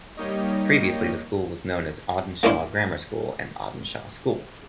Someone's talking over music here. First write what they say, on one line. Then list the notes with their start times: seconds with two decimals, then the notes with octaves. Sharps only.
Previously the school was known as Audenshaw Grammar School and Audenshaw School.
0.17 G3 A#3 D#4 G4 C#5 D#5
2.43 A#3 C#4 D4 E4 C6